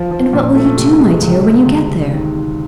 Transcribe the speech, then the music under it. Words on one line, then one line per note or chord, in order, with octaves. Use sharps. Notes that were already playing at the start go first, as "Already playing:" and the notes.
And what will you do, my dear, when you get there?'
Already playing: F3
F3
A#2
A3
C3
G#3
C#2
G#3
D2
C3
D#3
C3